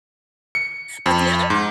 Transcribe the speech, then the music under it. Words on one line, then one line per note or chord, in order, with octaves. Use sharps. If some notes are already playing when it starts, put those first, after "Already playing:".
But the other
C#7
F2
G#2